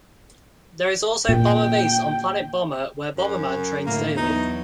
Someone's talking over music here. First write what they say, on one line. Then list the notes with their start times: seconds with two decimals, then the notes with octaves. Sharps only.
There is also Bomber Base on Planet Bomber, where Bomberman trains daily.
1.29 A#2 G5
3.17 F#2
3.86 A2 D3 A#3
4.17 E2 F#3 D#4